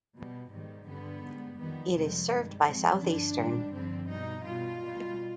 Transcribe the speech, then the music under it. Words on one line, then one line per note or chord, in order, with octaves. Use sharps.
It is served by Southeastern.
B2 G3
G#2 D#3 G3
G2 D3 G3 B3
G#2 G3
F2 D#3 G3 B3
F2 C3 D#3 G3 G#3
G2 D#3 G3
G#2 F3 C4
G2 D3 F3 D4
G#2 D#3 G3
G2 D3 F3 C4
B2 G3 D#4
B2 G3 F4
B2 G3